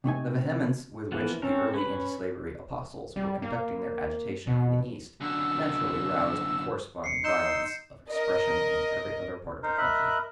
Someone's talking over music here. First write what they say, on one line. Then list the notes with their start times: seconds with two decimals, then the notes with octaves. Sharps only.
The vehemence with which the early antislavery apostles were conducting their agitation in the East naturally roused a corresponding violence of expression in every other part of the country.
0.04 C3 A3 D#4 G#5
1.12 E3 F3 A#3 B3
1.42 C4 C#4 A4 A#4
1.74 C#4 B4 B5
3.16 G3
3.42 A#3
4.47 B2
5.20 F#2 D3 E6
7.04 C7 C#7
7.24 D#4 C6 E6 G6 E7
8.10 A#4 D#5
9.63 D#4 A#4 C5
9.78 A#4 D#5 E5 B5 F#6